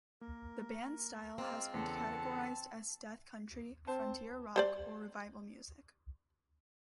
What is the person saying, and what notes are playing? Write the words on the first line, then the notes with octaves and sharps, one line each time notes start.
The band's style has been categorized as "death country", "frontier rock", or "revival music".
A#3 A#4
G#3 C4 F4 F5 A#5 D6
E2 C#3 A4 F#5 A5
C4 C5 A5
G3 C5 D5